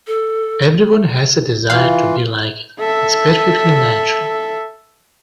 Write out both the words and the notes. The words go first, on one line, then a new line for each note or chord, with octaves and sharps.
Everyone has a desire to be liked, it's perfectly natural.
A4
E3 F4 F5
A4 E5